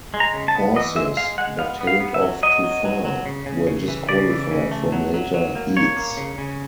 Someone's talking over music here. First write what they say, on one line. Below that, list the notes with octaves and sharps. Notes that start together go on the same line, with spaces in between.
Horses that tailed off too far were disqualified from later heats.
G#3
A#5
C#3
A5
B3
E3 D#5
G#3 E5
G#3 F5
G#3 F#5
B3 F5
B3
F5
B3
E5
F#3
F#3 D#5
F#3
F#3
F#3
C#3
C#3
C#3
E3
C#3 D5
E3
C#3
A3
F#3
F#3
F#3
A#3
A#3 C#5
A#3
C#3
C#3